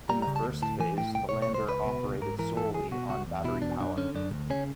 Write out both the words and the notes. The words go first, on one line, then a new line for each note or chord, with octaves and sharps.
In the first phase, the lander operated solely on battery power.
G3 A#5
A#5
C#3
A5
D2
A2 A5
E3 G#5
A2 G5
C2 G5
B2 C#5
C#5
C2 C5
C#2 B4
B2
C#2
G#2 A#4
E3 A#4
G#2 A4
C#2 G#4
B2 F#4
C#2 F#4
E2
B2 E4
E2 D4
F#2 D4
D3 C#4
F#2 D4
D2
C#3 C#4